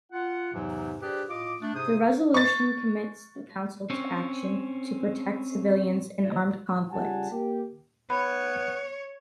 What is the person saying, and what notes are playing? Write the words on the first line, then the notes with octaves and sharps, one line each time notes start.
The resolution commits the Council to action to protect civilians in armed conflict.
F4 F#5
E2 G#2 C3 E3 F#3
D4 G4 G#4 B4 C5 D5
A2 F4 D#5 D6
A3 D4
G#2 C3 G#4 C5 D#6
C#6 A6
C4 C#4
C#3 G3 F4 F#5 G#5 A5
A#3 G4
B3 C#5 B5